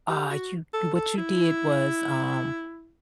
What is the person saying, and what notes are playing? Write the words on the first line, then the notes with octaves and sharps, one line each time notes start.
Ah, you you what you did was, um,
G4
F#4
A4
A4
E4